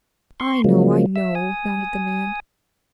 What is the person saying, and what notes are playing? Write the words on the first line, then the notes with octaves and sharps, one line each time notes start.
"I know, I know," nodded the man.
C6 C#6
C#3 F3 F#3 G#3 A#3
E5 E6
G#5 D#6